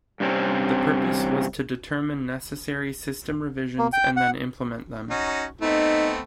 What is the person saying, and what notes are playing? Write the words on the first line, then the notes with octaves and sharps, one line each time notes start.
The purpose was to determine necessary system revisions and then implement them.
G2 C3 C4 C#4
A#3
G5
F#5
C#4 D#4 F#4
A3 B3 C4 D#4